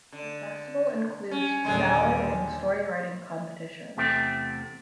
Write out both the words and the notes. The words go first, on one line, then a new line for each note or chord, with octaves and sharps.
The festival includes ballad and story writing competitions.
D3
C#4
D#2 A#2 D3 G3 G#3
E2 C3 A3 C4